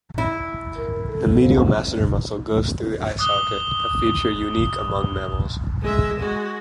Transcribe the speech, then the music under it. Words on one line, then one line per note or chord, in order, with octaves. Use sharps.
The medial masseter muscle goes through the eye socket, a feature unique among mammals.
E4
A#4
A4
F3
F2
D6 D#6 F#6 G7
G#3 E5
G#3 F#4